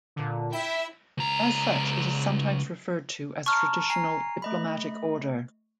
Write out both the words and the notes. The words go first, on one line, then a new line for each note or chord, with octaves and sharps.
As such it is sometimes referred to as a traditional "diplomatic order".
A#2 D3
E4 E5 G5
C#2 A#5
A5 A#5 C#6 F6
G#5 A#5 C7
A3 D#5 B5